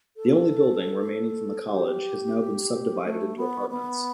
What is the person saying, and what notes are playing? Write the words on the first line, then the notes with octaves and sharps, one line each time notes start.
The only building remaining from the college has now been subdivided into apartments.
A4
G4
A3
B3
B3